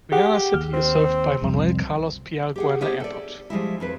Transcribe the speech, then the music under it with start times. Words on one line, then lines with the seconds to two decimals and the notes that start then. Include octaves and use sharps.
Guayana City is served by Manuel Carlos Piar Guayana Airport.
0.12 G4 G#4 F#5 G5
0.54 D#2 F6
0.73 C4
1.42 C2 F2
2.56 G4 G#4 F#5
2.81 B3 C#4 E4 G4 C5 C#5
3.00 A4 D5
3.50 F3 G3 G#3 E4
3.80 F2 C4 B4